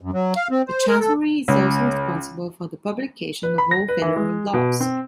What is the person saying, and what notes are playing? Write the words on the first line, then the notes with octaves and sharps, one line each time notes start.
The chancellery is also responsible for the publication of all federal laws.
F#2
F#3
F5
C4
C5
A#4
A4
C#2
B4
B5
A#6
B4
E3
G#3
B2
C4